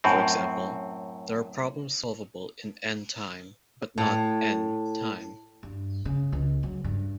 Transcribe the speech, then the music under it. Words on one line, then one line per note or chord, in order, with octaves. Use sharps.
For example, there are problems solvable in "n" time but not "n" time.
F#2 A2 C4
A2
G2
C#3
C#2
F#3
G2